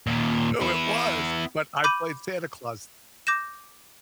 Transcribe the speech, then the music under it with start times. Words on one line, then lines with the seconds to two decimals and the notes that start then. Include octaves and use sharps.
Oh, it was, but I played Santa Claus
0.07 D#2 A#2
0.61 B3 E4
1.84 B5 D6 G6 D#7
3.27 D6 G6 A#6 E7